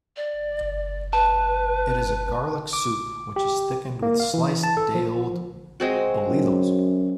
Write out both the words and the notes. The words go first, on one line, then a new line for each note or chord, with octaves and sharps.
It is a garlic soup which is thickened with sliced day-old bolillos.
D5
B4 A5
D6
G4
A#3
F5
E3
A5
A4
F3
G#3 C4 F#4
F#2